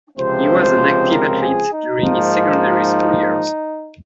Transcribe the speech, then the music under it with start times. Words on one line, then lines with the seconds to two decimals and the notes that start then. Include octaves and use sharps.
He was an active athlete during his secondary school years.
0.17 C#2 C3 F3 C4 C5
1.08 A#4
1.40 G#4
1.70 D#4
2.00 G#2 F3 A#3